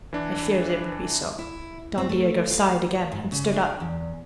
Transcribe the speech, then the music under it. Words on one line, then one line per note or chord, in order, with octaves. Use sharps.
"I feared it would be so." Don Diego sighed again, and stood up.
E3 D4
E4
C4
A3
F5
G#2
C#3
D4
E2